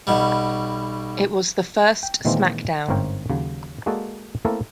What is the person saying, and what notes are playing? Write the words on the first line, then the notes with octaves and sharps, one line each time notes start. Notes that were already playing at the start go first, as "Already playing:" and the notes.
It was the first SmackDown!
B1 B2 G3
G5
A#2 D#3 E3 G#3 A#3 C4
G1 G#2 C4 A#4 C#5 G5
D#2 C#3 F#3
G#3 A#3 F#4 G#4 A4 D5
A3 A#3 C4 E4 A4 A#4